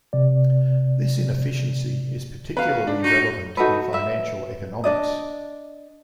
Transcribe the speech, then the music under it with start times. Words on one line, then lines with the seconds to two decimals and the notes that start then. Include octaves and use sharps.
This inefficiency is particularly relevant in financial economics.
0.13 C3 D5
2.57 B3 F#4 B4 F5
2.87 D4
3.04 D#4 F#4
3.57 D#4 F#4 A4 B4
3.93 B4 E5
4.84 D4 D5 D#5